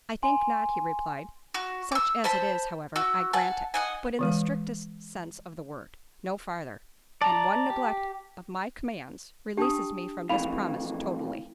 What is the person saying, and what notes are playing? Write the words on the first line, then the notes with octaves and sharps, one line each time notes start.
"I think not," he replied: "such as it is, however, I grant it: but in the strictest sense of the word--no farther--and one neglect of my commands, releases me from this promise totally."
G#5 C6
F#4
D6 E6
C5 A5 B5
F#4 E6
F#5 G#5 A5
D#5 F#5 G#5
D3 E3 G#3
D5 A5 A#5
G4
D4 G4 G5 A5 D#6
F2 A2 E3 F5 B5 F7